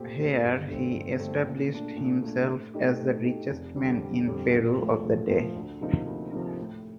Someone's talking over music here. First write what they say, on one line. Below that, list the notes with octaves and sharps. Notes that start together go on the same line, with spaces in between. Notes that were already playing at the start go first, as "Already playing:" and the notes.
Here he established himself as the richest man in Peru of the day.
Already playing: A#2 A3 C4 G4
A3 C4 G4
G1
G2 D3 A3 C4
G1
G2 D3 A3 C4
A#2
A3 D4
A#2
A3 D4
A2
A3 D#4 G4
A2
A3 D#4 G4
F1
F2 D3 G3
F1
F2 D3 G3
A#1
A2 F3 A3
A#1
A2 F3 A3
D2
C3 F3 A#3 D#4
D2
C3 F3 A#3 D#4
A2